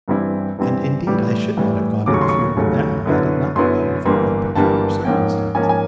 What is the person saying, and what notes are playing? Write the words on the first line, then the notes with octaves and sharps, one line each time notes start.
And indeed I should not have gone to the funeral now had it not been for a peculiar circumstance.
G2 E3 G3 C4 E4
G2 E3 G3 C4 E4
A2 E3 G3 D6
A2 E3 G3
D#2 C#3 F#3 A3 D6
C#6
C6
C#6
D#2 C#3 F#3 A3
F#2 D3 F#3 B3 E4
F#2 D3 F#3 B3 E4 C6
G1 G2 E3 G3 A#3 C6
G1 G2 E3 G3 A#3 A5
G#2 F3 A#3 C#4 G5
G#2 F3 A#3 C#4 G#5
A5
G#5